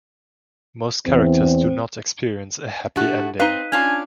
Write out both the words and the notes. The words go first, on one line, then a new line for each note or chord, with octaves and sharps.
Most characters do not experience a 'happy ending'.
E2 C4
A2 A3 D4 F#4 G4 F#6
C4 D#4 B4 F5 F#6 B6 D#7
C#4 D4 F4 G#5 F6 F7